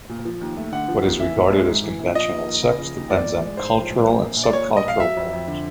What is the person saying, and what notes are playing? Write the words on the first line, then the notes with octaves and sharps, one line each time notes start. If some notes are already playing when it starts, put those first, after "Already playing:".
What is regarded as conventional sex depends on cultural and sub cultural norms.
A#2
F3
D#2
A3
D3 F#5
F3
D#2
E3 E5
A#1
G#3
G#2
E3
A#1
F3 D#5
D#2
A#3
C#3
F3
D#2
F3 D5
A1
G#3
G#2 C5
F3
A1
G3
A#1
A#1
D5
A#2 C#5
G3
D#5
A#1 F5
F#3 E5
F2
F2
D3